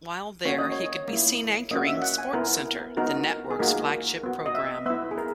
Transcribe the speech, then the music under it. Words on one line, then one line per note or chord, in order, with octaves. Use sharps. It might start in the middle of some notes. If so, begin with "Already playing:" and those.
While there, he could be seen anchoring "SportsCenter", the network's flagship program.
A#3 C#4 F#4 C#5
D#5
C#5
A#3 E4
A#3 C#4 F#4 D#5
E5
F#5
G#5
B3 E4 A#4
B3 D#4 F#4 A#4
G#4
A#3 D#4 F#4 A#4
B3 F#4
D#5
E5
B3 E4 E5
G#4
A#4